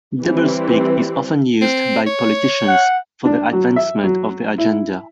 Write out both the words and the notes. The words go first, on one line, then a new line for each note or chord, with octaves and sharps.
Doublespeak is often used by politicians for the advancement of their agenda.
E3 G3 C4
C4
C#5
F#5
D4
F#3
E5
F#3
E4